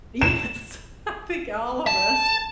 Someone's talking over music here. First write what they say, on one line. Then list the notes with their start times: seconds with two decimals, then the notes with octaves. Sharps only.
Yes, I think all of us,
0.22 E7
1.87 A5